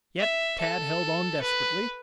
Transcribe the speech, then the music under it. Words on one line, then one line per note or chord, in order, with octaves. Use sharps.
Yet Tad held on desperately.
E5
A4
B4